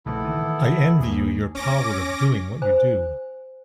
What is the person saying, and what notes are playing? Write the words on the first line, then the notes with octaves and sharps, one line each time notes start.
I envy you your power of doing what you do.
A#1 C#3 A3 B3 E4 A4
D#3 E3
D#2 G3 A#3 G#4
C#4 D6 A#6
C5 G#5